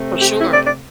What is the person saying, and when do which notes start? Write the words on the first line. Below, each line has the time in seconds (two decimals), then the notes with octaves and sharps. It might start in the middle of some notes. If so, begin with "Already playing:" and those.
For sure.
Already playing: C3 A3 C4
0.20 G4
0.41 E4
0.53 D5
0.66 D5